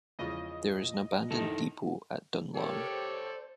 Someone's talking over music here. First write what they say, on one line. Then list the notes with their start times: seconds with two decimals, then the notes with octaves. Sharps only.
There is an abandoned depot at Dunlow.
0.19 E2 C#3 F3 D#5
1.31 D#3 D#4 E4 A4
2.56 G4 A4 A#4 C#5 D5
2.90 C5